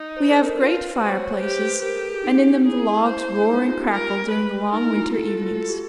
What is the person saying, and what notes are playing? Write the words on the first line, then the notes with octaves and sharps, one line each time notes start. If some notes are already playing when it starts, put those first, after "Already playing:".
We have great fireplaces, and in them the logs roar and crackle during the long winter evenings.
Already playing: D#4
C5
A4
A#4
F4 B4
F#4 C5
C#5
C#5
C5
G4 B4
C5
B4
G4 A#4
A4
G#4
D#4
E4 G#4
C5
D4
D#4
C#4
F4
G4
A#4
B4
D#4 A#4
E4
F#4
F4
F#4 A4
F4
F4
F#4
G4